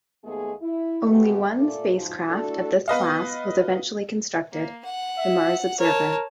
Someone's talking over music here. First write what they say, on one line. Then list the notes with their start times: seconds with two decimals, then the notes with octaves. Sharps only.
Only one spacecraft of this class was eventually constructed-the "Mars Observer".
0.23 D#2 G#3 A3 B3 G#4
0.61 E4
1.08 G#3 A3 B3 C4 F#4 G4
1.56 A#2 A3 D5
1.94 G#2 F3
2.29 A3 D4 E4 F#4 A4
2.88 B3 B4 D#5 F5
4.52 A#3
4.85 F#5
5.18 E5
5.79 A#4 C#5 A5